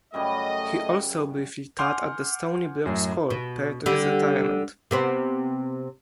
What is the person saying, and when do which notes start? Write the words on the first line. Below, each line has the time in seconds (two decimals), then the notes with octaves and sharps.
He also briefly taught at The Stony Brook School prior to his retirement.
0.14 F#2 C#3 G3 A3 D#5
1.79 F#5 G#5 C6 D6 F6 G6
2.86 F#2 A2 F#3
3.30 B2
3.86 D3 G3
4.91 C3 B3 C4